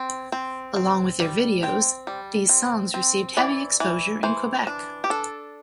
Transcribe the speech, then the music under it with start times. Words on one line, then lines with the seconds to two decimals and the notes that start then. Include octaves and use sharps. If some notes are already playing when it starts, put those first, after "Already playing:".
Along with their videos, these songs received heavy exposure in Quebec.
Already playing: C4
0.32 C4
0.76 C4
1.20 G3
1.63 C4 G5
2.07 G3
2.49 C4
2.94 C4
3.37 E3 D5
3.80 E3
4.23 E3 C5
4.67 D4
5.04 G4
5.10 D4 A4